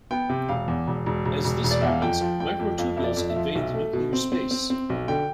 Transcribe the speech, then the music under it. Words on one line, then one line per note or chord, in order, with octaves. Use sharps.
As this happens, microtubules invade the nuclear space.
B3 G5
C3
E1 F5
E2
E1
E1
E1
E1
E1
D5
E2 E5
F5
F2 G5
F3
F2 G5
F2
F2 F5
F2 E5
D5
F2
E5
F3
B1 E5
A3
B2
C4
C4
C4
C4
B1
D3 G5